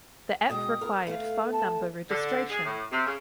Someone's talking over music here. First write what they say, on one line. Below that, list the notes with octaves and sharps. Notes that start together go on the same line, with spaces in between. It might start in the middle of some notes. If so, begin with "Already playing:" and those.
The app required phone number registration.
B2 G#3 G5 D#6
A#4
A3 B3 F5
A5
D3
G#4
A2
C3
C#3